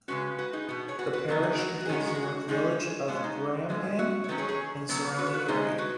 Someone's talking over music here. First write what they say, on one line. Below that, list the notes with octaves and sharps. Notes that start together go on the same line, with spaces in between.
The parish contains the village of Bramham and the surrounding area.
C#3 G#3 C#4 F#4 B4
F#4 B4
D#4 G#4
B2 B3 F#4
G#4 C#5
F#4 B4
F#4 B4
C#3 F#3 B3 F#4
D#4 G#4
F#4
F#4
G#4
D#3 G#3 C#4 F#4
G#4
F#4
G#4
F#4
D#3 G#3 C#4 D#4 G#4
B2 G#3 B3 F#4
D#4
B2 G#3 B3
F#4
C#5
D#3 F#3 C#4 F#4 B4
G#4 C#5
G#4 C#5
B2 F#3 B3
F#4 B4
C#5
F#4 B4
B2 G#3 B3 D#4 G#4
F#4 B4